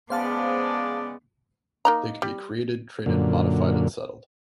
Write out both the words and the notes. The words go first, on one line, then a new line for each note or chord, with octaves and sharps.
They can be created, traded, modified and settled.
C#3 G#3 B3 C5 D5 F5 A5
A#3 D#4 A#5
G3
F#2 A#2 D3